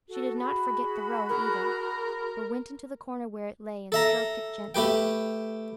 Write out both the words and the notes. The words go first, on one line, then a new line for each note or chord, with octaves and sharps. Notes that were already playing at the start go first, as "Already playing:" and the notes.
She did not forget the roe either, but went into the corner where it lay, and stroked it gently.
F#4 A4
F#4 G#4 B5
A#4
A4 E5 A#5
A3 G4 B4 G5